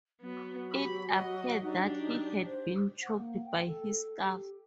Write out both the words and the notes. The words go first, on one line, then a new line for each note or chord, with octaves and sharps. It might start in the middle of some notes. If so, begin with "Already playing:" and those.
It appeared that he had been choked by his scarf.
F#3 B3
G4 B5
D#5 F#5
D4 D#4 G4
D#4
C5
F#5
A#3
G5
A4
G4